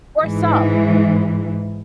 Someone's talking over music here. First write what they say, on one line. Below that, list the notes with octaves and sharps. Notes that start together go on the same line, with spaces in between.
for some.
G#2 E3